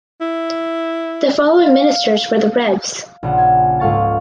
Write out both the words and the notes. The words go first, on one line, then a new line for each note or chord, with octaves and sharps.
The following ministers were the Revs.
E4
F5
A#1 C#3 F#5
G#5
C#2 G#2 A4 F5 C#6 A6